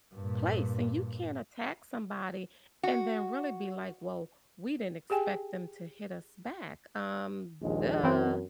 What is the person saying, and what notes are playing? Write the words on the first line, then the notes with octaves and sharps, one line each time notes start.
place, and you can't attack somebody, and then really be like, "Well, we didn't expect them to hit us back," um, "Duh".
G2 A#2
F#4
G4 G#4 G5 G#5
A#1 D#2 G#3
F#2 E3 C4